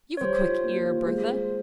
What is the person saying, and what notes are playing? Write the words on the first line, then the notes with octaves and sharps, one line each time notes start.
You've a quick ear, Bertha.
C#5
G3 C5
F4
A#3
F4
G#3